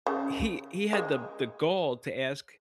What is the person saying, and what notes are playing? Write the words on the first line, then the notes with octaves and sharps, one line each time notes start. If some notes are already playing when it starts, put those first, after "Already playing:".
he he had the the gall to ask
C#3
G#3